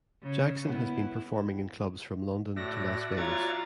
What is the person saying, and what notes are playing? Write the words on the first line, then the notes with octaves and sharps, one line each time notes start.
Jackson has been performing in clubs from London to Las Vegas.
C#3
B3 E4
A2 F#4 D5 E5 A#6
F4 C#5 A#5 G#6 A6